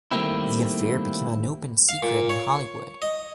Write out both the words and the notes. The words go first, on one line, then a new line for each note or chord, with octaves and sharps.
The affair became an open secret in Hollywood.
D#3 G3 A3 A#3 C4 E4
F5
A#2
C#5
D#5